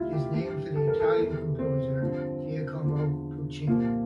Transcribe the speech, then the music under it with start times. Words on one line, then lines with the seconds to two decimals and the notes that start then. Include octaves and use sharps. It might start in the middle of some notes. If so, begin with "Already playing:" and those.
It is named for the Italian composer Giacomo Puccini.
Already playing: D2 C3 G3 E4 F4
0.13 G4
0.34 G2 E3 G3 G4
0.76 A4
0.88 A#4
1.00 A4
1.17 E2 E3 G3
1.59 C4
2.01 G2 D3 F3
2.84 E2 D3 F3
3.67 C2 A#2 F3 A#3